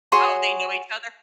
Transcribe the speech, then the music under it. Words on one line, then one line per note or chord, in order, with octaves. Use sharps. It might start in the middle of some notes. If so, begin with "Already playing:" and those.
Oh, they know each other?
F#4 G#4 C#5 C6